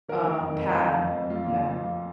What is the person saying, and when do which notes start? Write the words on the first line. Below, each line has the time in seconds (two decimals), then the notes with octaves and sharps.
uh, path. Yeah.
0.08 D#3 A#4
0.24 D#3
0.40 F2
0.55 F2
0.69 F2 F4
0.85 F3
1.00 F2
1.15 F2
1.30 F3 F4
1.45 A#2
1.60 F3
1.76 F3